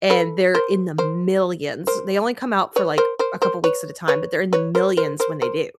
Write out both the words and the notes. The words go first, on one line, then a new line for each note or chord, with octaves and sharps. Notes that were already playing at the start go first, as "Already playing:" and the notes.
and they're in the millions. They only come out for, like, a couple weeks at a time, but they're in the millions when they do,
A4 B4
A#4 C5
A#4 C5
A#4 C5
B4 C#5
A#4 C5
A#4 C5
A#4 C5
B4 C#5
B4 C#5
B4 C#5
A#4 C5
A#4 C5
A#4 C5
A#4 C5